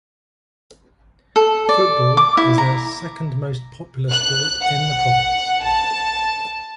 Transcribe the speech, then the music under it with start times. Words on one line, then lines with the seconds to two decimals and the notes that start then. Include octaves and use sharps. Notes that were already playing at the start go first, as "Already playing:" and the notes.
Football is the second most popular sport in the province.
1.36 A4
1.69 D5
2.17 D6
2.37 E4
2.58 A#5
4.11 F#6
4.61 F#5
5.63 A5